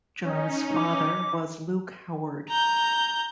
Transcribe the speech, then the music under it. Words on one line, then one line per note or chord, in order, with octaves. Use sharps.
John's father was Luke Howard.
C#4 D#4
D6
A#5 G6